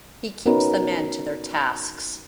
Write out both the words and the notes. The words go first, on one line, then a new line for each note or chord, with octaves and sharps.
He keeps the men to their tasks.
B3 C#4 D#4 F#4 A#4 B4